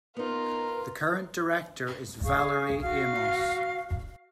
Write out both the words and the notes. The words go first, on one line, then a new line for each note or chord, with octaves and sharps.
The current Director is Valerie Amos.
B3 D#4 F4 A#4 B4
G#4 F5 C#6
F#4 F5 F6